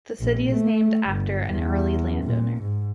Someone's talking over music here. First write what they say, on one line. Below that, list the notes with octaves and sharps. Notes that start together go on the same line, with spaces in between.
The city is named after an early landowner.
A#1
A3
G1
E2
A#2
G#2